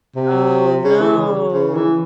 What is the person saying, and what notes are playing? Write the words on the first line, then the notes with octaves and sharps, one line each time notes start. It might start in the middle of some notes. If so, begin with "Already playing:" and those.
Oh, no.
C3
C#3
E3
C#3
C#3
E3